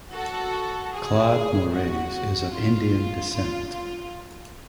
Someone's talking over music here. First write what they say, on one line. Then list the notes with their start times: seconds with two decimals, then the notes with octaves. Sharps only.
Claude Moraes is of Indian descent.
0.13 F#4 A4
0.93 G#4
1.73 F#4
2.53 F4
3.33 F4
3.72 F4